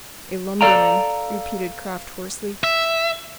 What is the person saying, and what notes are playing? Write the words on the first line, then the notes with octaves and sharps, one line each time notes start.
"A lumberman," repeated Kraft, hoarsely.
A4 D5 F5 G5 A#5
E5